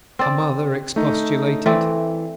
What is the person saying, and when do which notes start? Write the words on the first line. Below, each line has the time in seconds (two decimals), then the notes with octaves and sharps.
Her mother expostulated.
0.19 C4 D5
0.96 A3 D#4
1.66 E3 A3 C4 D5